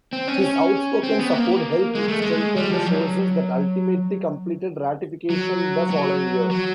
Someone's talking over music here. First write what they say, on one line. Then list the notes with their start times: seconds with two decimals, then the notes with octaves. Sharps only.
His outspoken support helped strengthen the forces that ultimately completed ratification the following year.
0.13 C4
0.28 C#4
0.42 C#4
1.03 C4
1.19 B3
1.33 A#3
1.95 G#3
2.08 A3
2.22 G#3
2.56 G3
2.71 F3
2.86 F#3
5.30 F#3
5.91 F#3
6.51 F#3